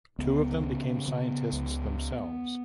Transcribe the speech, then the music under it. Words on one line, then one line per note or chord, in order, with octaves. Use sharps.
Two of them became scientists themselves.
C#2 B3
C#3
C#3 B3
C#2